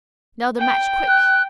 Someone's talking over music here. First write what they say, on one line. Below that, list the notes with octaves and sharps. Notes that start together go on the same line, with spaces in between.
Now the match, quick!
G5
F#6